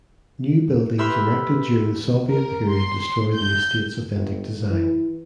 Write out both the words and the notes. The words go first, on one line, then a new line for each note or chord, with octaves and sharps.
New buildings erected during the Soviet period destroyed the estate’s authentic design.
G4 B4 E5 B5 C6 F6
A#4
C6
G6
G1
E3